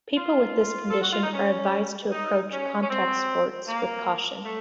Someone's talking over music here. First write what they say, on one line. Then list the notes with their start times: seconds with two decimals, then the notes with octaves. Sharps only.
People with this condition are advised to approach contact sports with caution.
0.17 F4
0.91 A4
1.02 F#4
1.13 F4
1.23 D#4
1.33 C#4
2.12 D#4
2.51 C#4
2.82 C#4
2.90 C4
3.68 A#3
4.46 A3